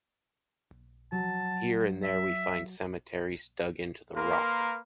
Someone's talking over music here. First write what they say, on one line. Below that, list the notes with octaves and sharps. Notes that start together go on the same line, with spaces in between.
Here and there we find cemeteries dug into the rock.
F#3 A5
E5
A#3 A#4 B4 C6